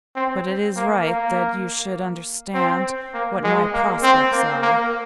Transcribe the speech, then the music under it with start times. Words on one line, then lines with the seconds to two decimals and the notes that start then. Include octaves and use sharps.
But it is right that you should understand what my prospects are.
0.16 C4
0.76 A#3
1.06 A#3
2.54 C4
3.14 A#3
3.44 G#3
3.73 A#3
4.03 C4
4.32 A#3
4.62 A#3